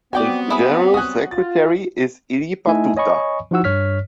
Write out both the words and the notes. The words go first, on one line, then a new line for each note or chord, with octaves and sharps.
Its general secretary is Illipa Tuta.
F#3 G3 B3 C4 F#4 D5 G5 G#5
E4 G#4 B4
F#4 G#5 D#6 F#6
F4 A6
A3 D#4 E4 D#5 E5 G#5
C#5 D#5 G#5 B5 C#6
F3 D#4 E4 F#4 F#5 E6
G2 C#5 F6 B6